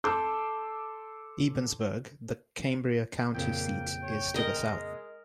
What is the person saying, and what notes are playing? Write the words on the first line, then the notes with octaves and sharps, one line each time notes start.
Ebensburg, the Cambria County seat, is to the south.
A4 C6 D6 E6 G6
F2 A#2 C#3 A#3 G5
C#5
G#3 A#4 D#5